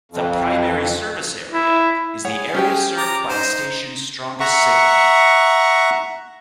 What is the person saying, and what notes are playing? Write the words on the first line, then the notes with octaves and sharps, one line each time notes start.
The "primary service area" is the area served by a station's strongest signal.
F2
E4
G#4 C#5 F#5
C#4 G4 G5
A#5 D6
D#4 C5
E5 F#5 A#5 C#6